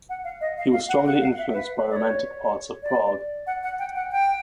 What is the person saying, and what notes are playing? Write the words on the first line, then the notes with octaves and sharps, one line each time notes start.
He was strongly influenced by romantic parts of Prague.
F#5
F5
D#5
F5
F5
F#5
F#5
F5
E5
B4
D5
C#5
D5
F#5
F#5
G5
F#5
G5